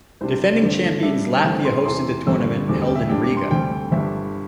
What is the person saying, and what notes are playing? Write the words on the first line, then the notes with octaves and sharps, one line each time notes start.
Defending champions Latvia hosted the tournament, held in Riga.
C2 C3 G3 D4 C5
G2 D3 A3 C4
G2 G3 D4 E5
G1 G2 E3 A3 C4 G5
C6
E2 C3 E3 C4 C6
G1 G2 D3 G3 C4 E6
E1 D2 D3 G3 C4 D6
G5
E5
G2 G3 D4 G5
D6
C6
D2 D3 G3 C4 G5
G1 G2 D3 G3 D4 E5